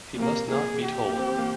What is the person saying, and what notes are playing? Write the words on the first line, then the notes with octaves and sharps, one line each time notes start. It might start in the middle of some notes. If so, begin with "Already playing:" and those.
He must not be told.
A#2
C3 A#3
A#3 G#4
G4
A#3
C4
C4
A#3